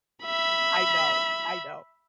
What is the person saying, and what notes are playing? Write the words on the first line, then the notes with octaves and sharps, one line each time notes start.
I know, I know.
E5 B5